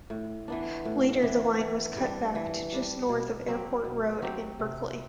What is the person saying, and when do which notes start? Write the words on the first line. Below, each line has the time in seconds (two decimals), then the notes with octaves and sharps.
Later the line was cut back to just north of Airport Road in Berkeley.
0.10 A2
0.48 E3 B3 D4
0.85 A2
1.22 E3 B3 D4
1.60 E3
1.97 G3 D4
2.35 E3
2.73 G3 D4
3.09 B2
3.48 F#3 C4 G4
3.84 B2
4.22 F#3 C4 G4
4.59 C3